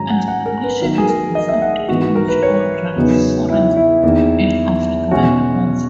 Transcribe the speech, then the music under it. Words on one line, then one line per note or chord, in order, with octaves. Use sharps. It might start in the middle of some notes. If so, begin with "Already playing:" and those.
A simulation was performed in which all rainforest in Africa were removed.
Already playing: G#2 D#3 F#3 C#4 G#5 A#5
F#5
F#5
A#4
B4
D#3 F#3 B3 D#4 A#4
G#4
A#4
D#5
E5
F#5
G#4
G#2 E3 B3 D#4 F#4
F#4
A#4
B4
C#5
E2 C#3 F#3 B3 D#4
E4
E4
E2 D#3 A#3 D#4
B2 G#3 C#4 F#4